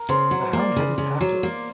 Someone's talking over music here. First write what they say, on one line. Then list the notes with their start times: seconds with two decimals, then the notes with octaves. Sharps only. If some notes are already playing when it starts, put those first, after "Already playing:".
The hound hadn't packed it.
Already playing: A#4
0.09 C#3 C5
0.31 F#3
0.43 C5
0.53 A#3
0.59 D5
0.76 C#3
0.98 C#3
1.21 F#3
1.43 A#3